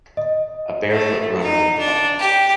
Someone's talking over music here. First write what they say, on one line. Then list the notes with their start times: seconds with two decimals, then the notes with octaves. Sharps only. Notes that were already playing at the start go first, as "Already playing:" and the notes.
A bare foot runner in a park.
0.17 D#5
0.91 A3
1.41 D#4
1.78 D4
2.19 G4